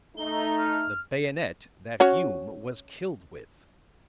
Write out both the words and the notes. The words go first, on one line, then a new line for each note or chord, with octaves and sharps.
"The bayonet that Hume was killed with."
A3 D#4 G7
F6
C#4 F#4 C#5